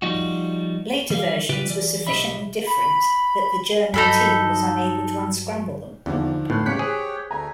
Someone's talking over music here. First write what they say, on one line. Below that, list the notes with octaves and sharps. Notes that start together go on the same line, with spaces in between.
Later versions were sufficiently different that the German team was unable to unscramble them.
F3 G3 D#4 F4 F#4
E3 G3 F5
C#3 F4 G4 B4 E5
E3 D5
B1 G4 D#5 E5 B5
B5
G2 F#3 D#4 A4 B5
E2 D3 D#3 F3
A2 E3 C6 F#6
A1 C#3 G4 C#5 G5 F#6 B6 C#7
G#4 C5
D2 A3 G#5 A#5